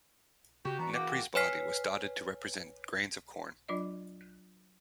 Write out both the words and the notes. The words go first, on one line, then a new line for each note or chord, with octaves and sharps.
Nepri's body was dotted to represent grains of corn.
C#3 F#4 G4
E3 B3 D4 A#5
C#3 A#3 F#4 G5 D6
B4 C#5 G#5 F6 B6 C7
F#3 D4 F4 D5 D#5